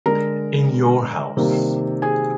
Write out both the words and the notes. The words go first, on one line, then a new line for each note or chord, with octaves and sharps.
In your house.
D3 G#3 A#4 A#5
C3 D#3 G3 A#3
G#4 G#5